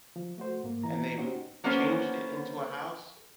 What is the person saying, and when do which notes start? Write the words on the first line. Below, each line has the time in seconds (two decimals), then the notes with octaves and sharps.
and they m changed it into a house?
0.16 F3
0.38 A3 F#4 C5
0.64 G#2 A#3
0.83 E3 A#5
1.17 C#4 D#4 F#4 G4 C5
1.64 F#3 A#3 B3 C#4 C5